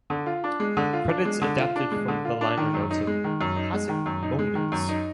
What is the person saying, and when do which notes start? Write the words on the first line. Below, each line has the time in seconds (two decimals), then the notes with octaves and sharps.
Credits adapted from the liner notes of "Classic Moments".
0.10 D3
0.26 F4
0.44 D4
0.60 G#3
0.77 D3
0.93 F4
1.09 D4
1.25 G#3
1.42 D3
1.59 F4
1.76 D4
1.92 G#3
2.08 D3
2.25 F4
2.41 D4
2.57 D#3
2.74 F#2
2.91 D#4
3.07 G#3
3.24 D#3
3.41 F#2
3.56 D#4
3.73 G#3
3.89 D#3
4.06 F#2
4.23 D#4
4.39 G#3
4.55 D#3
4.72 F#2
4.89 D#4